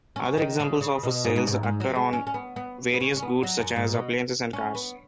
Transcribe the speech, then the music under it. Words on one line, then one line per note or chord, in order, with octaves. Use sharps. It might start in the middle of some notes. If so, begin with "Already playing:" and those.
Other examples of sales occur on various goods such as appliances and cars.
C#4
D#3
C#3
C#3
B2
G#2
B2
G#2
G#2
F#3
G#3
C#4
C#4
B3
B3
B3
C#4
C#4
B3
F#3
F#2
G#2
B2
C#4
B3